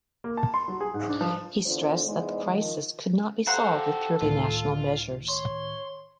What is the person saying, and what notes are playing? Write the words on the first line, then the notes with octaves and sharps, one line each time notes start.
He stressed that the crisis could not be solved with purely national measures.
A#3
A5
C6
F#3
G#4
G#2
D4
F3
E2 D3 F4 C5 D5
E2 G#2 G#3
D#3 F3
F#4 G4 A4 C5 F5 F#5 A#5
C#2 A2 D#3 F4
C#5 C6